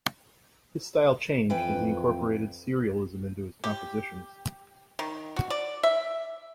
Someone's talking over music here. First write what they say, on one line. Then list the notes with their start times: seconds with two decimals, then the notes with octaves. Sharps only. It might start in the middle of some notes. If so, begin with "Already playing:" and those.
His style changed as he incorporated serialism into his compositions.
1.50 F2 E3 B4 G5
3.64 G4
4.99 D#3
5.36 F#4
5.50 D5
5.83 E5